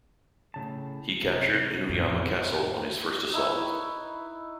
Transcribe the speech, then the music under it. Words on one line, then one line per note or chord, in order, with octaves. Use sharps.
He captured Inuyama Castle on his first assault.
A2 C#3 A5
C3 E3
A1 F2
D#4 E4 B4 C#6